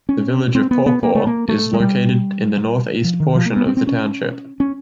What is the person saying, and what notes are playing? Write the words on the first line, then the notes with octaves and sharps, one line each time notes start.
The village of Paw Paw is located in the northeast portion of the township.
C#4
C4
B3
B3
A#3
A3
A#3
A3
G#3
G3
F3
D#3
F3
A#3
B3
C4
C4
C#4
C#4